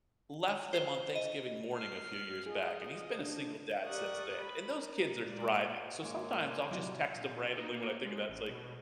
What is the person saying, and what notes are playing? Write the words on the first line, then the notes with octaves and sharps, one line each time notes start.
"left them on Thanksgiving morning a few years back, and he's been a single dad since then, and those kids are thriving." So sometimes I'll just text him randomly when I think of that. It's like,
C5
D#5
F6 C7
F4 G#4 D#5
D4
G4 A#4 D5 C#6 D#6 F#6
B5
A#4
A#2 G#3 A#3 A#4 D5
G#2 G#3 A#3 C#5 D6
A2 C3 F#3 G3 F#4
A#2
C3
D#4
A#3
G#3
A1
B2